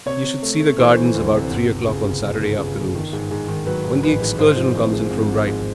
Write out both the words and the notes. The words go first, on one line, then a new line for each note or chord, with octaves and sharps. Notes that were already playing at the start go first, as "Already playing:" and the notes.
"You should see the gardens about three o'clock on Saturday afternoons, when the excursion comes in from Brighton."
C3 C#5
C3
A3
A3
E3 C5
E3
D2
C3
G1
G1
C#3
C#3
G1
G1
C#3
G1
D#3
G#2
G#2
D#3
F#3 B4
G#2
A1 B4
G#2
G#2 C5
F3
G#1
G#3
G#1
G#1
G#2